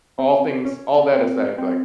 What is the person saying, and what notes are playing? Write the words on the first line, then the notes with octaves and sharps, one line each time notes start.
all things all that aside, like,
C4
C#4
C4
C#4
C4
C4